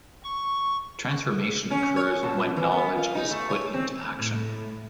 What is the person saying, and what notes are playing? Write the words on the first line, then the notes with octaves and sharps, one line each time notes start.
Transformation occurs when knowledge is put into action.
C#6
C#4
C#5
A#2
E3
B3
F4
D#4
A3
C#5
C4
A2